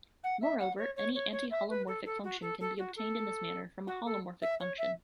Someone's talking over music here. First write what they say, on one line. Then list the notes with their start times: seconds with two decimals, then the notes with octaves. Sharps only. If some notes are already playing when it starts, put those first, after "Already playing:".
Moreover, any antiholomorphic function can be obtained in this manner from a holomorphic function.
0.23 F#5
0.41 E5
0.59 F#5
0.78 C#5
0.96 C#5
1.14 C#5
1.32 C#5
1.51 E5
1.69 B4
1.87 A4
2.05 A4
2.24 F#4
2.41 A4
2.60 A4
2.78 F#4
2.96 A4
3.87 F#4
4.05 A4
4.42 E5
4.60 C#5
4.78 E5